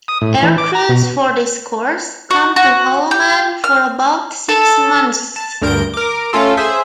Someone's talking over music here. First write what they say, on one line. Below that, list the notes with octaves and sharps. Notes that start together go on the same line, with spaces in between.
Aircrews for this course come to Holloman for about six months.
D#6
A2
E3
D6
A#5
B2
F#4
F#4
G4
F6
A4
A5
D2 G2 A#4 G6 D7
A#4 D6
A3 C#4 F4 A4
G#4 C5 E5